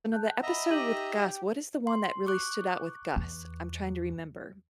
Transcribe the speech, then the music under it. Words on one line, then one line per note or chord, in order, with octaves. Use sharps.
one of the episode with Gus, what is the one that really stood out with Gus? I'm trying to remember.
A5 F#6 G6
D#5 E5 F#5 A#5 B5
D#4 G4 D#7 F#7
C6
C#6 D6 F#6
E2